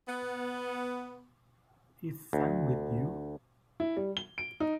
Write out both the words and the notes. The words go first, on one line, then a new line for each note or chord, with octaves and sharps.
Is Sam with you?
B3
D2
E4
G3
G7
D7
D#4